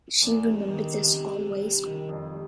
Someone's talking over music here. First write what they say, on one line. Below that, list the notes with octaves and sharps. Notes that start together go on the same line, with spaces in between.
She remembered this always.
E2
G3
D#3
C3
C3
C3
G3
D#3
F2
G3